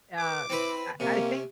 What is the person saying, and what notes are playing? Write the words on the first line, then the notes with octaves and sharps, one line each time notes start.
Um, I I think
B4 D6
C4 E4 B4
C3 A#3 C4 C#4